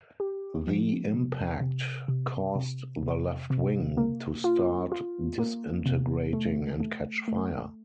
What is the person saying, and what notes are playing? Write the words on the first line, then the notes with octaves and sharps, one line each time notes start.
The impact caused the left wing to start disintegrating and catch fire.
G4
F3
C3
C3
C3
C3
C3
C3
A#3
F4
F4
A#3
C3
A3
A3
A3